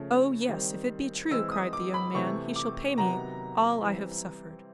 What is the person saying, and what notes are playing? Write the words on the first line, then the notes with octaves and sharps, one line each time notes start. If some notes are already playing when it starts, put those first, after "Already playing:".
"Oh, yes, if it be true," cried the young man, "he shall pay me all I have suffered."
Already playing: C#3 F3 A3 C#4
D#3 G3 C4
E3 G#3 C4 E6
D#6
D6
B5
C3 E3 A3 C4 C#6
D6
C3 D#3 F#3 B3 A#5
E3 G3 C4